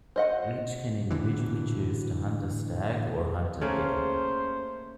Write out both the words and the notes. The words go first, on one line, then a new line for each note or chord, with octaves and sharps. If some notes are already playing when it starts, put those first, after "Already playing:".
Each can individually choose to hunt a stag or hunt a hare.
C5 D#5 F#5
A2 D3 E3
A3 A#3 C#4 G#4 C5